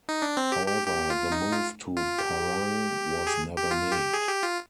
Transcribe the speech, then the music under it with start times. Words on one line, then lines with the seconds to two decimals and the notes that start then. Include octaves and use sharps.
However the move to Parang was never made.
0.09 D#4
0.22 D4
0.37 C4
0.52 G4
0.66 G4
0.87 G4
1.10 F4
1.32 D#4
1.52 F4
1.97 F4
2.19 G4
3.27 G#4
3.56 G4
3.71 F4
3.92 G4
4.14 G#4
4.29 G4
4.43 F4